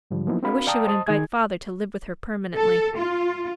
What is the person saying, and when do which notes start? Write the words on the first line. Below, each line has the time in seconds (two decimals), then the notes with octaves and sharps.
I wish she would invite father to live with her permanently.
0.11 G#2 D3 F3 G3
0.27 F3 F#3 A#3 B3 D#4 E4
0.43 C4 D4 F#4 A#4 F5 B5
0.67 D5 F5 G5 A5 A#5 D#6
0.87 C5 D#5 A5 D#6
1.06 D#3 D#4 G#4 G#6
2.56 A4
2.97 F4